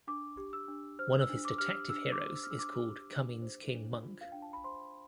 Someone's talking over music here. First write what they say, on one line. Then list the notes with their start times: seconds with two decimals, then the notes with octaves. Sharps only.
One of his detective heroes is called Cummings King Monk.
0.07 D4 D6
0.37 G4
0.53 E6
0.68 D4
0.99 C5 F6
1.21 E6
1.30 D4
1.45 D6
1.58 G4 F6
1.67 E6
1.89 D4 E6
2.12 D6
2.20 C5
2.36 E6
2.43 F6
2.50 D4 E6
2.59 D6
2.81 G4
3.11 D4
3.42 C5
3.73 D4
4.03 F4
4.21 F5
4.32 D4 G5
4.42 A5
4.53 B5
4.64 C5 C6